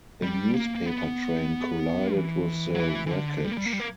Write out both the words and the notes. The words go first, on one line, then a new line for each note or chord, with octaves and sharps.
A newspaper train collided with the wreckage.
G3
A#3
A#3
B3
E3
F#3
E3
E3
D3
G3
A#3
G3
A#3
G3
A#3